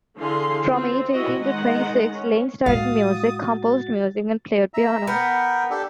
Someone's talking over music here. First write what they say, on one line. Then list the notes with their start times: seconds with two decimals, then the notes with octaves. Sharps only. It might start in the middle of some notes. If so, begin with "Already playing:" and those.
From age eighteen to twenty-six, Lane studied music, composed music, and played piano.
0.17 D3 E3 G#4 F5 C6
0.71 C4 F4
1.11 E4 F#4 D#5
1.41 D#3 G#3 D#4 D#5 F#5
2.13 C#4
2.66 A2 G#3 F#4 F5 D#6 A6
4.74 E5 A#5
5.07 B3 A#4 B4 G5
5.70 D4 G4 A4